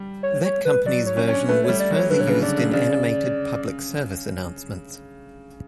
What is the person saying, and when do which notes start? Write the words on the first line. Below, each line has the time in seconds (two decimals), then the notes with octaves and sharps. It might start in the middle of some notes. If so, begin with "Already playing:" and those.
That company's version was further used in animated public service announcements.
Already playing: G3
0.23 C#5
0.44 C#5
0.65 B4
0.86 F#3 D5
1.06 C#5
1.17 C#4
1.28 C#4 C#5
1.33 D4
1.49 A3 B4
1.64 G3 C#5
1.80 D5
1.91 F#3 C#5
2.10 D3 B4
2.21 C#5
2.27 C#3 B4
2.42 D3 D5
2.57 C#3
2.73 C#3 D5